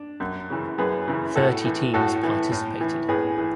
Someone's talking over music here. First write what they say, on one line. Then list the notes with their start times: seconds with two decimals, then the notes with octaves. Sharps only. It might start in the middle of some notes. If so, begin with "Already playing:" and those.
Thirty teams participated.
Already playing: D4
0.20 F#2
0.50 C#3 E3
0.78 F#2 G#4 B4
1.08 C#3 E3
1.36 A2 F#4 A4
1.65 E3
1.94 A2 F#4 A4
2.23 E3
2.52 A2
2.81 E3
3.09 A2 G#4 B4
3.38 E3